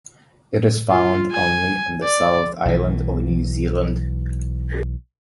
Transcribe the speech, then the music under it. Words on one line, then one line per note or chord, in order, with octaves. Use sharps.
It is found only on the South Island of New Zealand.
F4
G#5
D5
B1 E3